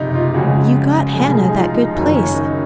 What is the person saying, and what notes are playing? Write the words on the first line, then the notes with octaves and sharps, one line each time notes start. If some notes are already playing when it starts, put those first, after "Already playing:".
You got Hannah that good place.
Already playing: F#1 F2 C3 D#4
F4
F2 C#3 G#3 F#4
C2 A#2 F3 G#3 G#4
G#4
D#4
F4
D#4
F#1 F#2 D#3 F#3 C#4
C#4
D#4